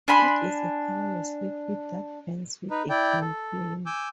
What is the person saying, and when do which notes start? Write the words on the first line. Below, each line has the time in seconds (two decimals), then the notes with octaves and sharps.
It is a colourless liquid that burns with a green flame.
0.08 D4 G#5 B5 C6
2.71 D#4 B4
2.90 E4 D5 G5
3.21 A4
3.86 G#5 D6 E6 G6